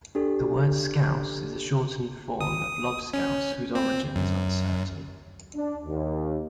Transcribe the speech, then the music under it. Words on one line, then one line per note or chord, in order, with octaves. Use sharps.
The word "scouse" is a shortened form of "lobscouse", whose origin is uncertain.
D4 G4 A4
D#6
C#4
C4
F#2
D4
D#2